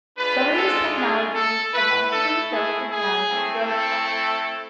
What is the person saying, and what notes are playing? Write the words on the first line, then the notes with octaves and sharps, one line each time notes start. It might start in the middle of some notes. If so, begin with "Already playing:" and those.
Some of these technologies eventually filter down to road cars.
G#3 D4 F4 B4
A4
G#4
A4
A3 E4 B4
A4
G#4
G#4
A3 C4 E4
A4